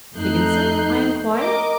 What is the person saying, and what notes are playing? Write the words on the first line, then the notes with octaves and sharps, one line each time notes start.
'Higginson?' I inquired.
F2 A3 D#4 F#6 G6 C7
A#4 D#5 D6